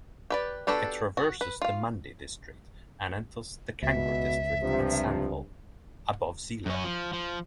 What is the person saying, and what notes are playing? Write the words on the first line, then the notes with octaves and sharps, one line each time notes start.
It traverses the Mandi District and enters the Kangra District at Sandhol, above sea-level.
G4 B4 D5
B3 D4 F#4 G4 A4
F#4
B4
F4 F5
C#2 B2 E5
G2 C3 F3
F#2 C#4
F3
F3